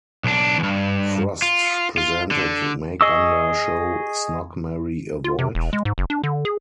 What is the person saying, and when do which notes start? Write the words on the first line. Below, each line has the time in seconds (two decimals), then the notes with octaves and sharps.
Frost presented makeunder show Snog Marry Avoid?
0.24 B1 D4
0.59 E2 G2
1.42 F4
1.98 F4
2.31 D3
3.01 G#4 D#5 C#6 E6
5.24 F4
5.39 C3
5.55 E1
5.73 G#3
5.85 G#2
5.98 F#1
6.10 D4
6.24 D3
6.45 G#4